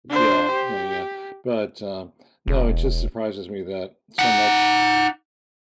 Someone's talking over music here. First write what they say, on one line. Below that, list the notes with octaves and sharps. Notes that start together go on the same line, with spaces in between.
Yeah, yeah, yeah, but, uh, no, it just surprises me that so much,
D4 C5
G4
E1
D#4 F#5